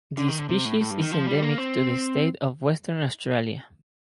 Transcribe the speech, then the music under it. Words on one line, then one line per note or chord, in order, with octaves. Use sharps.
The species is endemic to the state of Western Australia.
D3
D#3
D3
C3
A2
A2
G2
D#3
F3
G3
A#3
C4